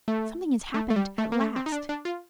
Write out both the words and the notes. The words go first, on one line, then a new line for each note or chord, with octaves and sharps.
Something has happened at last.
A3
A3
A3
G3
A3
A#3
A3
C4
D#4
D4
D4
F4